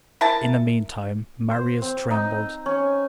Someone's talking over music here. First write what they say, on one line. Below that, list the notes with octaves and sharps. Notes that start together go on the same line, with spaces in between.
In the meantime, Marius trembled.
E4 A#4 A5
C5
C4
D#4
C#4